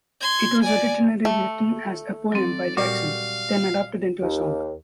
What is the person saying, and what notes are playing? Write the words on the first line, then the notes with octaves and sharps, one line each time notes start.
It was originally written as a poem by Jackson, then adapted into a song.
C6 G#6
D5 G#5
A3
F#3 C4 D5
A#2 G3 F#4 F5
D#2